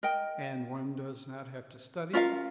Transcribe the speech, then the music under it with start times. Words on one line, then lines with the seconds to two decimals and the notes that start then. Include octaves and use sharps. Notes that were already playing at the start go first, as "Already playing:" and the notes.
"And one does not have to study?"
0.03 A#4 D#5 G5
2.13 C#4 F4 A#4 F5